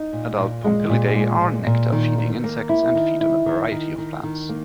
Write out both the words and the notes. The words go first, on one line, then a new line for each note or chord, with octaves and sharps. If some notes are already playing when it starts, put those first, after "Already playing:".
Adult Pompilidae are nectar-feeding insects and feed on a variety of plants.
Already playing: D#4
A#2
A#2
G#3
A#2
G#3
A#2
A#2
D#3
D#3
A#3
E4
D#3
E4
D#3
D#3
D#3
D#3
A#3